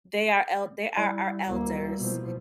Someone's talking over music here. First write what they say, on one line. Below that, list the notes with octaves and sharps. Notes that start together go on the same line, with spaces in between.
they are el they are our elders,
G3 E4
D2 A#3
B2 F3